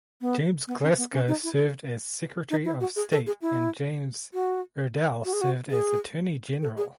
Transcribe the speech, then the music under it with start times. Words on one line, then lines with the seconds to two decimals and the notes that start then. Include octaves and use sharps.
James Glasgow served as Secretary of State and James Iredell served as Attorney General.
0.21 B3
0.67 B3
0.83 C#4
0.97 B3
1.13 C#4
1.28 D#4
1.44 E4
2.50 D#4
2.65 E4
2.80 F#4
2.96 G#4
3.11 A4
3.27 G#4
3.42 E4
4.34 F#4
5.25 F#4
5.33 G#4
5.41 F#4
5.70 G#4
6.62 A4
6.77 G#4